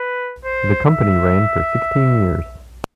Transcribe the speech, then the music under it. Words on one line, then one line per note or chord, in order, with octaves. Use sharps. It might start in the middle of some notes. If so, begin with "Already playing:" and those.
The company ran for sixteen years.
Already playing: B4
C5
E5